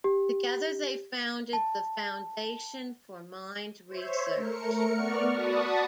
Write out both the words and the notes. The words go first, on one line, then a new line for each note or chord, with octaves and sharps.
Together they founded The Foundation for Mind Research.
G4
A5
C5 C#5 E5
A3 A#4 C#7
B3 D5 F#5 C#6 F6
F#4 D5 A5 B5 C#6 D#6